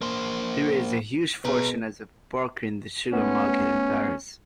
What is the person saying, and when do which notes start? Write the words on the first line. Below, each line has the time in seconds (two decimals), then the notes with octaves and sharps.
He raised a huge fortune as a broker in the sugar market in Paris.
0.01 A#3 C5
1.45 B2 G#4 B4 A#5
3.13 A3 B3 C#4